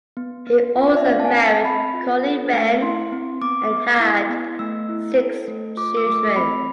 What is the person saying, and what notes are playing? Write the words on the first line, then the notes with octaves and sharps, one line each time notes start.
He also married Colleen Wren and had six children.
B3
B3
F4
D5
E5
C4 F5
A5
G#5
C4
A5
C4 B5
F4
A4
A3
E4 C6
C4
B3 D6
B3
E4
B3
A3 E6
E4
A4
A3
F4 D6
E6
A3 D6
C4 B5